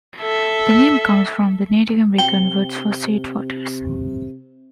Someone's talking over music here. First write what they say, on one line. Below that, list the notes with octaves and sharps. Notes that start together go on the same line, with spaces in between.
The name comes from the Native American word for sweet waters.
A4 E5
C3 G5 G7